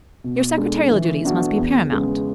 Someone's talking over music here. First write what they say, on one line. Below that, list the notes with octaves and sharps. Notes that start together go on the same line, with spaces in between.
Your secretarial duties must be paramount.
B2
G#3 D4 A4
E3
B3 D4 F#4
E2
C#3 G#3 B3